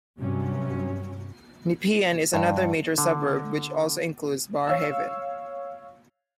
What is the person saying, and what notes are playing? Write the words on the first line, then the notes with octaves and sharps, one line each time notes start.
Nepean is another major suburb which also includes Barrhaven.
G2 C3 F#3 C#4
G2
D3
C#5 F5 E6